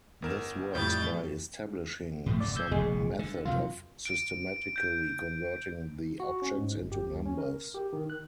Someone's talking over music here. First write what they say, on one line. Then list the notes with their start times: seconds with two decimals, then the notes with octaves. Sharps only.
This works by establishing some method of systematically converting the objects into numbers.
0.22 G1 A#4 E7
0.75 F2 A2 G3 G6 A6
2.26 A2 F3 A3
2.40 E1 F#2 A#2 D5
2.56 C#3 E6 G6 G#6
2.71 F1 A#1 B2 G#3
3.19 D3
3.45 F2 C3 F#3 F4
4.05 D7
4.76 G6
6.20 F#4
6.42 C#4
6.58 G#2
6.77 G1
6.92 G4
7.09 D#2
7.25 C#4
7.38 A#4
7.75 G4
7.93 D#3
8.10 F#6